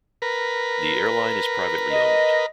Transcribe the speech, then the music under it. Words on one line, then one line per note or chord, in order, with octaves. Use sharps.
The airline is privately owned.
A#4 B4
D#5